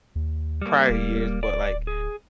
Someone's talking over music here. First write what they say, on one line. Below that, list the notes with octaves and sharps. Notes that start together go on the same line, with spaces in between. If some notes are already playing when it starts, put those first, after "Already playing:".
prior years, but, like,
D#2
G3 A#3
D1
D5
G#4